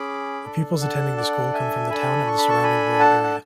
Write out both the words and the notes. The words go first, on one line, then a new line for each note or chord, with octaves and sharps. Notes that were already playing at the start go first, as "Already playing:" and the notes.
The pupils attending the school come from the town and the surrounding rural area.
Already playing: C#4 G#4 B5 D6
D4 A4
F#5 A5
D5 F#5
E5 G#5
D4 A4 G#5 B5
C#6
B5
A5 C#6
G#5 B5
F#5 A5
F#5